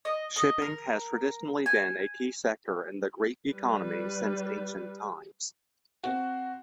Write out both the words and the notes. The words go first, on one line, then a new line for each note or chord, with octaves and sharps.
Shipping has traditionally been a key sector in the Greek economy since ancient times.
D#5
D#5
A#4
G#5
G3 B4
C4 F#4